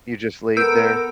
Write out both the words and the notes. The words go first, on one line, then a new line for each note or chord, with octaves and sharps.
You just laid there?
B3 A4 A#4 E6 G6 D7